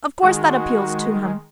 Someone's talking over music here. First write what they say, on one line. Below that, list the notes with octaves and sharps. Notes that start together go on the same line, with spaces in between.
"Of course that appeals to him."
D#3 G#3 F#4